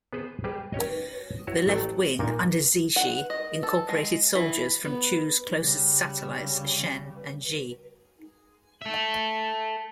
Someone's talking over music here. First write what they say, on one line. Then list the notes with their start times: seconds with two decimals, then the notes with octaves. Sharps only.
The left wing under Zixi incorporated soldiers from Chu's close satellites Shen and Xi.
0.13 B3 G#4 B4 C5
0.44 G3 G4 G#4 B4 C5
0.73 C#4 G4 C#5 D#5
1.47 E4 F#4 C#5
1.68 A1 F#3 A3 A4 D5 G5
2.19 A#2 A#3 D#4 A4 A#4
2.96 F#5
3.30 D#5
3.63 A4
3.89 G#3
4.35 E3
4.85 B3
5.60 C#3 G3
8.82 A4 E5